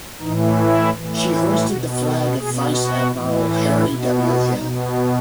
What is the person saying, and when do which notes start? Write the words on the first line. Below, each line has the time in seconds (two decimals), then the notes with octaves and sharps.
She hoisted the flag of Vice Admiral Harry W. Hill.
0.21 A2 E3 D#4
0.57 E4
0.94 A2 E3
1.66 B2 F#4
2.03 A4
2.39 B2 G#4
2.75 F#4
3.12 A2 E3
3.84 B2 E4
4.20 E4
4.56 B2 D#4